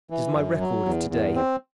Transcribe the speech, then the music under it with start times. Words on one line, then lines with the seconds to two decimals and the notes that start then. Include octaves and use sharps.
It is my record of to-day.
0.10 E3
0.35 F#2
0.60 F#3
0.85 E2
1.10 E2
1.36 C4